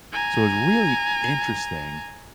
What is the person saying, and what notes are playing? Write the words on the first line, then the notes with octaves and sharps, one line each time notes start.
So, it's really interesting,
G#5 A#5